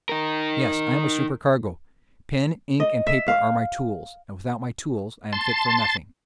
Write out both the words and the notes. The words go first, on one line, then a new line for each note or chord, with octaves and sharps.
"Yes; I am a supercargo; pen, ink, and paper are my tools, and without my tools I am fit for nothing."
D#4 A#4
D#5
E5
F5
A5 C6